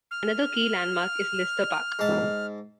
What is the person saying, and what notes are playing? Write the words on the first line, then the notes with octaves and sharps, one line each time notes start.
Another key landmark is Lister Park.
F6
G#2 A5